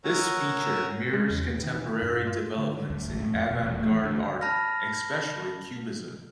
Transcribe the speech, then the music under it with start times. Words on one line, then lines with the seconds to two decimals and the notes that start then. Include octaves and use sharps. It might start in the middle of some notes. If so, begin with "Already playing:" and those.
This feature mirrors contemporary developments in "avant-garde" art, especially Cubism.
0.04 A#4 C#5 F#5 G#5 A#5 E6
1.13 G#3
1.30 E2
1.47 B3
1.63 D#3
1.75 E3
1.89 E4
2.02 G2
2.27 F4
2.58 D3
2.90 D2
3.08 A1
3.21 A2
3.35 F2
3.51 B2
3.63 E1
3.79 A3
3.92 E3
4.03 D2
4.41 A5 B5 F6 A#6